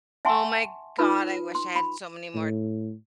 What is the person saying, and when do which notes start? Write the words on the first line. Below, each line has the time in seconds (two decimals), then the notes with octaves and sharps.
Oh my God, I wish I had so many more
0.25 E5 F#5 G#5 A5 C6 C#6
0.99 D#4 F4 A4 B4 B5
1.55 C6
1.76 B5
2.34 A2